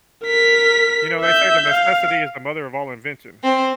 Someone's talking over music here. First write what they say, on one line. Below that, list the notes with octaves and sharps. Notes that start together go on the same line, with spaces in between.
You know, they say that necessity is the mother of all invention.
A#4 B6
E5 G6
F5
C4